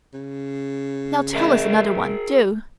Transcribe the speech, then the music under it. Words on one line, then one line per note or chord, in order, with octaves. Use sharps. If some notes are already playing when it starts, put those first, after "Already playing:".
Now tell us another one, do.
C#3
G#4 A#4 E5